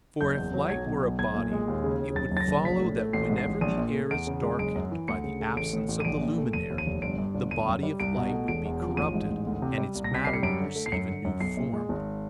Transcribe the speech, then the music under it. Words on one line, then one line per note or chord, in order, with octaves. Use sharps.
For if light were a body, it would follow that whenever the air is darkened by the absence of the luminary, the body of light would be corrupted, and its matter would receive a new form.
F#1 G6
E2
F#3
B1 G#6
B2
B1
B1 G#6
A#2
G#3
D#2
C#3
D#2
F#1 A6
F#2
A6
A#6
F#1
A#1 B6
A2
A3
A1 C7
G#2
C7
A1
A#1 D#7
A#2
A3
E2 D7
C#3
G#3
F#1 D7
F#2
E3
D2 C#7
C#3
A3
A1 D7
A2
A1
D#7
A#1 D7
A#2
A3
F1 D#7
D#2
D#7
F1
G1 D7
G2
G1
G1 D#7
F#2
G3
C2 D7
B2
A3
E1 D7
E2
F3
A1 D#7
G#2
A1
D2
C3
G3
C2
A#6
C3 B6
G3 C7
C#7
F#2 D7
D3
A3
C7
F#2 C#7
D3
F#2
B1 C7
A#2
G#3
G#1